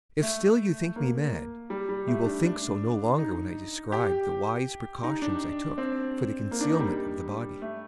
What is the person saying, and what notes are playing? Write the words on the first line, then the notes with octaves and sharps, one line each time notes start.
If still you think me mad, you will think so no longer when I describe the wise precautions I took for the concealment of the body.
A3
A#3
G3
G3
A3
D4
D4
D#4
G4
D#4
D4
C4
A#3
D4
D#4
G3
A3